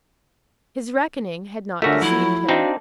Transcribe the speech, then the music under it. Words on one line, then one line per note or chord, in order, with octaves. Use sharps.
His reckoning had not deceived him.
D3 A3 F4 F#4 G#4 A#4 C#5 E5
F3 F#3 E4
C4 D4 D#4 F#4 E5 F5